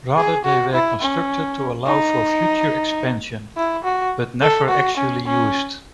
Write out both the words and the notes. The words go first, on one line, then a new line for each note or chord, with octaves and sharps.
Rather they were constructed to allow for future expansion, but never actually used.
G#4
F#4
E4
C#4
D#4
E4
F#4
A4
F#4
C#4
C#4